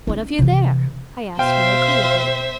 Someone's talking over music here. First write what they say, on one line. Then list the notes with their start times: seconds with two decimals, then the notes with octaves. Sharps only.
"What have you there?" I asked more agreeably.
0.07 C#4 D#4
0.39 C3 E3
1.39 B2 C5 E5 F5 G5 C6